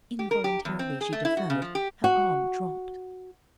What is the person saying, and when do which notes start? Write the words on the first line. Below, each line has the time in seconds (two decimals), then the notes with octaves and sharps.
Involuntarily she deferred, her arm dropped.
0.19 G4
0.31 A#4
0.44 G4
0.65 E2
0.79 C4
1.01 G#4
1.13 A3
1.25 E4
1.37 F#4
1.50 C#3
1.62 F3
1.75 G4
2.04 F#4